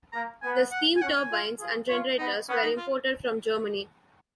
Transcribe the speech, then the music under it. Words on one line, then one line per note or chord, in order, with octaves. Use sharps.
The steam turbines and generators were imported from Germany.
A#3 A#5
B3 G#5
F#5
G#5
C#4 F#5
G#5
F4
F4 G#4
F4 C#5
B3 D#4
B3 C#4
D#4
F4